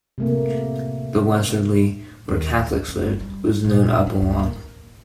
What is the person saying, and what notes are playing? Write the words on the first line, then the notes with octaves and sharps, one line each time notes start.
The westwardly, where Catholics lived, was known as up along.
C3 A3 A#3
D#2
D2
F#1
G3
A#2
F#2
F3
D2
A#3